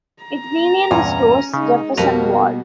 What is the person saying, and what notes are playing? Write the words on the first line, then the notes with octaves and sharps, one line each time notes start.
It renamed the stores Jefferson Ward.
A#5
E2 G2 A#2 C#4
C#3 G#3 D#4
F2 B2 G3 A#3 F#4 A#4 B4 A#5